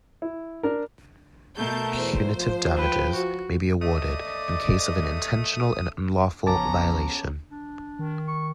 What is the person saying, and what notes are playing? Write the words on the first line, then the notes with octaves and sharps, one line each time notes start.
Punitive damages may be awarded in case of an intentional and unlawful violation.
E4
D4 A#4
B2 A3 A#4 A5 G6
E2 C5
F3
B4 G5
F#4
A3 D5 D#5 D#6
A#1 C#3 F3 B3 C#4 A5 A#5 D6
D4
D#3
C#6